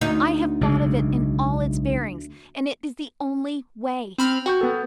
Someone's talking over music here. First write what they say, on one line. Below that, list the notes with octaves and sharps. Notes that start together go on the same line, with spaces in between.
I have thought of it in all its bearings, and it is the only way.
D2 D#4
B1 C#3 G#3
C4 B5 F6
F#4 G5 C#6 G6
B3 A4